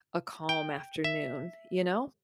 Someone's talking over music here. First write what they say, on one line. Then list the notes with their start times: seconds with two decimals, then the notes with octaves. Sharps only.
a calm afternoon, you know?
0.49 G5
1.04 E5